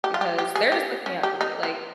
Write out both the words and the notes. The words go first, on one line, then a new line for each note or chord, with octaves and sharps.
because they're just looking out for me. Like,
G4
F4
G4
G4
G#4
G4
C#4
G4
D#4
C4